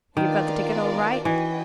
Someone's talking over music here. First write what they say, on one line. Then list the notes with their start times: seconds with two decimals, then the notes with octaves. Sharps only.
"You've got the ticket all right?"
0.16 D#3 B3 D4 F4 A#4 D5
1.25 E3 C#4 F#4 B4 D#5 G5